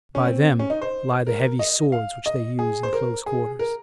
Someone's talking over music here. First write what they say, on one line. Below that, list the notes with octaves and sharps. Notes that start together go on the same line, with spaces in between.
By them lie the heavy swords which they use in close quarters.
C#4
C4
C#4
D#4
C5
A#4
D#5
F5
D#5
G#4
C5
A#4
G#4
A#4